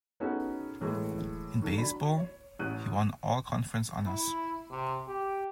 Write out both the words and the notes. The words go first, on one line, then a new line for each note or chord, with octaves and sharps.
In baseball, he won All-Conference honors.
B3 C#4 D#4 F#4 G#4 A4
A2 E3 G#3 A3
D#3 A4
F#3 D4 B5
C#5
A1 F#6 D#7
E4
C3
G4